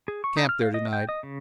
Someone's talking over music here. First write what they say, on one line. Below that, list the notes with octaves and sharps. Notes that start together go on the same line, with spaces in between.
Camp there tonight.
G#4
C#6
D#4
F6
F5
D#5
G5
D#5
C#3